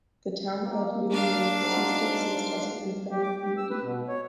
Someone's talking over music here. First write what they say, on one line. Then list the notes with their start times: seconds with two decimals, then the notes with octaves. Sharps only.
The town of Yubileyny ceased to exist as an independent entity.
0.65 A#3
1.11 D4 F5
1.62 G#2 F#3 G#3
3.10 G4
3.23 D6
3.42 G4
3.57 E6
3.70 B4
3.82 B2
4.09 C#5